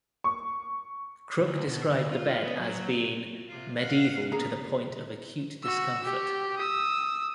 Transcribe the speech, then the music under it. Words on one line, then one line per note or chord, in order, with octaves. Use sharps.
Crook described the bed as being "medieval to the point of acute discomfort".
C#6
D2
B2
D2
F4
B3
F#3
C3 F4
F5 F#5
A#2 B3 G#4 A#5
F#4 E6
G4
D#6 E6